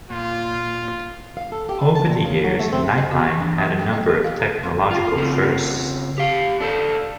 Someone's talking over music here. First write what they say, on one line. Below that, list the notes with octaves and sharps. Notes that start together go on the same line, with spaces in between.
Over the years, "Nightline" had a number of technological firsts.
A#2 F4
F5
A4
G4
D4
A5
A#2
C#3
F#3
A3
C4
D#5
F#4
E3
D4
F#3
G5
D#5
G4
F5
D3
C6
F4
C#3 C4 F4
G4 F5
D4 A4 C5